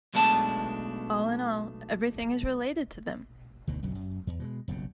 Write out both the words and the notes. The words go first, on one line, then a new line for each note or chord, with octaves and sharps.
All in all, everything is related to them!
B1 B2 G#3 A3 D4 A5
D2 B2 D#3
B1 F#2 D3 F#3
F#2
E2
B2 F#3 G#3
F#1 B1 G2 C#3